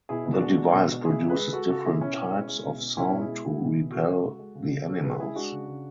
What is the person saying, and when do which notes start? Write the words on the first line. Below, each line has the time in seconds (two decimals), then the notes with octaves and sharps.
The device produces different types of sound to repel the animals.
0.09 B2 E4 G#4
0.25 B2
0.34 D4 F#4
0.42 G#3
0.57 G#3
0.73 B2
0.90 B2
1.05 C#3 E4 G#4
1.21 C#3
1.29 G#4 B4
1.37 G#3
1.53 G#3 F#4 A4
1.68 C#3 F#4 A4
1.84 C#3 E4 G#4
2.00 B2 C#4 E4
2.16 B2
2.32 G#3
2.49 G#3
2.65 B2
2.80 B2
2.96 B2 C#4 E4
3.12 B2
3.20 E4 G#4
3.29 G#3
3.45 G#3
3.60 B2
3.77 B2
3.92 C#3 F#4 A4
4.08 C#3
4.24 G#3
4.39 G#3
4.55 C#3
4.71 C#3
4.88 C#3 F#4 A4
5.03 C#3 G#4 B4
5.20 G#3 E4 G#4
5.35 G#3 D4 F#4
5.52 C#3
5.68 C#3